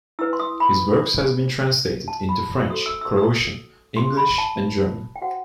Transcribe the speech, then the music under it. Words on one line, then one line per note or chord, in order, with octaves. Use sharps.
His work has been translated into French, Croatian, English, and German.
E4 B4 E6
C6
D#6
B5
A5
B5
F#4 A4 C5 D#6
E6
E6
D#6
C6
B5
A5
G5
F#4 C5 F#5